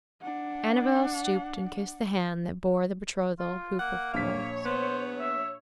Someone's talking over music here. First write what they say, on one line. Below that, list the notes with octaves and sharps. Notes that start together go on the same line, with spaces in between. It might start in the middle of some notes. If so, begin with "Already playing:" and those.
Annabel stooped and kissed the hand that bore the betrothal hoop of pearls.
D4 F#5
F4
A#3 F#5
A#1 C#5 F5 B6
B3 C5
E5